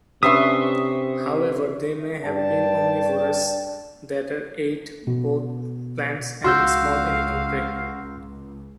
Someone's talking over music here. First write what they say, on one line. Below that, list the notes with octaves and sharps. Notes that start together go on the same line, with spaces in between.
However, they may have been omnivores that ate both plants and small animal prey.
C3 C#4 D4 B4 E5 C6 C#6 D#6
G2 D4 G5 A5
B2
C#2 F#4 F5 C6 E6 G6